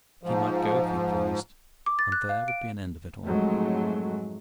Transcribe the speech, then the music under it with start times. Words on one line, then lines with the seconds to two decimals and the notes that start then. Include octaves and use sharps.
He might go if he pleased, and there would be an end of it all.
0.23 G#2 F3
1.86 D6
1.99 A6
2.12 F#6
2.29 F5
2.48 D7
3.25 F2 G#2 F#3 G#3 A3